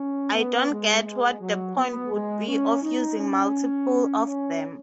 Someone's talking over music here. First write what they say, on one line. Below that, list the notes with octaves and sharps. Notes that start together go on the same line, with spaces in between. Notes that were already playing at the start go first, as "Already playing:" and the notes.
I don’t get what the point would be of using multiple of them.
Already playing: C#4
B3
G#3
G#3
F#3
B3
G#3
C#4
D#4
C#4
C#4